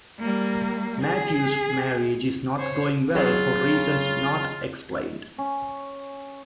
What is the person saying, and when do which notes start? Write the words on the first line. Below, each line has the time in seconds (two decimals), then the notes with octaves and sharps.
Matthew's marriage is not going well for reasons not explained.
0.20 G3 A#3
1.02 G#4
2.58 C5 C#5
3.15 C#3 F#3 F4 G#4
5.38 C#4